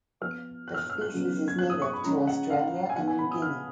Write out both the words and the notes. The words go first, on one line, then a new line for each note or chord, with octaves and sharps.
The species is native to Australia and New Guinea.
F3 B3 F6
F#6
F6
F#6
F6
F#6
C#3 F#3 B3
G#6
F#6
D#6
C#6
B5
C#3 F3 G#3 C#4 A#5
F#5
F5
G#5
F3 B3 F#5
G#5
B5
D#6
F6